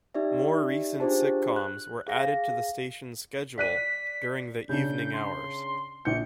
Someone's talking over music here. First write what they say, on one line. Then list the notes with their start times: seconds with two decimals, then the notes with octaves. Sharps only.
More recent sitcoms were added to the station's schedule during the evening hours.
0.14 D#4 G4 D5 E5
1.00 D4 F4 G4 G#4 C5 A5
1.56 F#6
2.08 G#4 F5 A#6
3.58 D5 F#6 B6 D#7
4.69 C#3 D4 G6
5.13 C6
6.05 A#1 G6 C#7